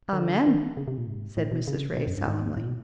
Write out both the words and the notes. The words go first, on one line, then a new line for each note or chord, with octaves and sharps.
"Amen!" said Mrs. Ray, solemnly.
D#3
D3
D#3
C#3
C3
A#2
G#2
A2
B2
C#3
B2
F#2
G2
G#2
A2
A#2
B2